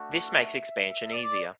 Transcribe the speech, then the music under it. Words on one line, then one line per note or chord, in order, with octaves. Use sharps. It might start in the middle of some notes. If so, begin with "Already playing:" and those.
This makes expansion easier.
Already playing: A3 D4 F#4
E5
D5